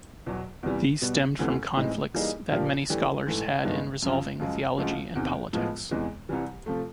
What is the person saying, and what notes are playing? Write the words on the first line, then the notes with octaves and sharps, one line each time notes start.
These stemmed from conflicts that many scholars had in resolving theology and politics.
E2 B2 F#3
E2 C3 E3 G3
B2 G3 B3
D2 C3 E3 A3 C#4
A2 E3 G#3 C4 D#4
E3 G3 A#3 D#4 G#4
A#2 F3 A#3 D4 G4
E3 A3 D4 G4
G#2 E3 A3
G2 D#3 G#3 B3
F#2 C#3 F3
F#2 C#3 F3 G#3
D2 C#3 F3 G#3
E2 C3 D#3
A2 F3 G#3 B3
E2 C3 E3 G#3 B3
C2 C3 E3 G3
C3 F3 A3